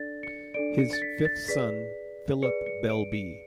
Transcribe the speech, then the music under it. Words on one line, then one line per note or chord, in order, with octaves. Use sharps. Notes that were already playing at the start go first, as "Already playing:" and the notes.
His fifth son, Phillip Bell b.
Already playing: D4 A4 D5 A6
C#7
D4 A4 D5 D7
C#7
A6
B6
A6
G#4 B4 D5 B6
G#4 B4 D5 C#7
C#7
D7
C#7